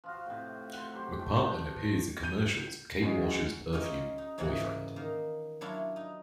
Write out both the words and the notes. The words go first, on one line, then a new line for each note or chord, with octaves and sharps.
McPartlin appears in commercials for Kate Walsh's perfume "Boyfriend".
F3 F4 F#4
A2 C3
C5 F#5
F#3 G4 C5
A3 G5
G2 A5
G6 D#7
F#2 G#3
C#4 D#4 F4 G4 C#5 D#5
D#4
G#2 C#3 E3 A#3 F#5
D#3 A#3
F#3 D4 E4 F4
D#4